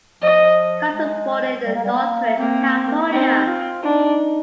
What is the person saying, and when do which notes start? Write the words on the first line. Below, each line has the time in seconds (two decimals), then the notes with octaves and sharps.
Collins was born in Northridge, California.
0.22 F3 D#5
0.95 G#3
1.66 G3
1.75 A#3
1.84 G3
1.93 A#3
2.38 A#3 C4
3.10 C4 D#4
3.47 F4
3.83 D4 D#4